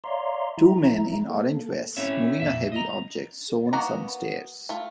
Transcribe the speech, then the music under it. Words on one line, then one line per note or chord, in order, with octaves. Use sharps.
Two men in orange vests moving a heavy object sown some stairs.
C#5 D5 E5 F5 A#5 C6
F3 E4 E5 A#5
A#3 A4
A3 C4 C#4 E4 C#5 E5
F2 A#2 E5
D#5 A#5
A#3 B3 F#4 F#5 A#5
A3 F4